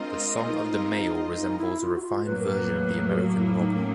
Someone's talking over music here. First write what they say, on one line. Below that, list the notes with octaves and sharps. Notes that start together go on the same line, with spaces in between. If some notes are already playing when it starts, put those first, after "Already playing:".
The song of the male resembles a refined version of the American robin.
Already playing: G#3 C4 D4 F4 A#4 D#5
D#4
D#4
E4
F4
F#4
F4
A2 F#3 A#3 B4
A#4
B4
G4
F#4
E4
D#4
C#4